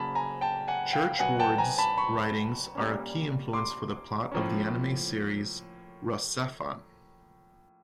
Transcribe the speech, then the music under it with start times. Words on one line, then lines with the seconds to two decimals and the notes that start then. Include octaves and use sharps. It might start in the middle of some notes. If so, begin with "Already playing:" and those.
Churchward's writings are a key influence for the plot of the anime series RahXephon.
Already playing: C#3 F#3 A#3 A5 B5
0.15 G#5 A#5
0.41 G5 A5
0.68 F#5 G#5
0.93 F5 G5
1.19 B2 F#3 B3 F#5 G#5
1.40 G5 A5
1.58 G#5 A#5
1.78 A5 B5
1.97 B5 C#6
2.75 A#2 G3 A#3 C#4
3.53 C6 D6
4.32 A2 F3 A#3 C#4